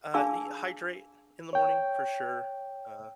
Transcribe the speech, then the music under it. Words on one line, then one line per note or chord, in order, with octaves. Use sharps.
uh, e hydrate in the morning for sure, uh
D4 G#4 F5 A5 C#6 E6
C#5 G5